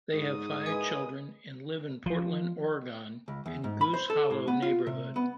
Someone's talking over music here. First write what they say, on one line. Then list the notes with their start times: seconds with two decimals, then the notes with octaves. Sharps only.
They have five children, and live in Portland, Oregon in the Goose Hollow neighborhood.
0.14 G#2 D#6
0.66 G#3 A#3 E4 G#4 B4 G#5
2.06 F3
3.28 C#2
3.46 E2
3.64 G#2
3.81 B5
3.94 C5
4.10 A4
4.31 A2
4.48 B3
4.62 F4
4.87 C3
5.16 B3